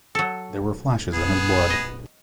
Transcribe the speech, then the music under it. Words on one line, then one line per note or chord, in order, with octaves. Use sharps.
There were flashes in his blood.
F#3 A4
B3 G#4
D#5